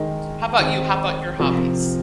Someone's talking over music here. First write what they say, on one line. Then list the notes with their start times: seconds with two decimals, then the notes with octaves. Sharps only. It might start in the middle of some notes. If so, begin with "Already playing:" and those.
How 'bout you? How 'bout your hobbies?
Already playing: D#3 G#3 D#4 A#4
0.59 D#3 G#3 C4
1.39 C3 F3 C4 F4 A#4